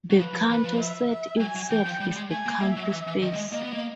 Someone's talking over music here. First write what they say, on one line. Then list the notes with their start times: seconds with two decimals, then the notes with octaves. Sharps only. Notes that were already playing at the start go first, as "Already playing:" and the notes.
The Cantor set itself is a Cantor space.
0.10 F#3
0.18 F3 B4
0.34 F3
0.48 E3 B4
0.64 F3
0.79 E5
1.10 E5
1.39 F#3 G#5
1.55 F#3
1.70 E3 G5
1.85 F3
2.00 G3
2.11 G3
2.16 G#3
2.30 A3 G#5
2.46 A#3
2.61 A#3 E5
2.76 F#3
2.92 E3
3.07 E3
3.22 D#3 D#5
3.34 G3
3.37 G#3
3.52 A#3 D#5
3.63 B3
3.73 A#3